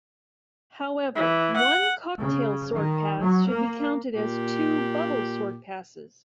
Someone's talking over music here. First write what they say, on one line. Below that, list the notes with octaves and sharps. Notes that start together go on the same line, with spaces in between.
However one cocktail sort pass should be counted as two bubble sort passes.
E3
F#5
C#3
D#3
F#3
A#3
A#2 G4